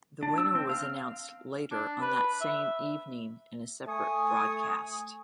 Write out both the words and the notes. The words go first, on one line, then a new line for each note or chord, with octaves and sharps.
The winner was announced later on that same evening in a separate broadcast.
D4
E6
C4
F5
D4
B4
E5
A3 G#5 C#6 D#6